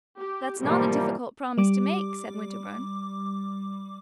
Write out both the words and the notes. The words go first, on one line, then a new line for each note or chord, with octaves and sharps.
"That's not a difficult promise to make," said Winterbourne.
G4
G#2 B2 E3 F3 G3 A#3
G3 D6